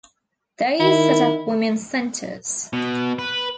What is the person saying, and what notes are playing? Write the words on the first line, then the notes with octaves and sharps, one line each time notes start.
They set up women's centres.
D#3 E4
B2
B4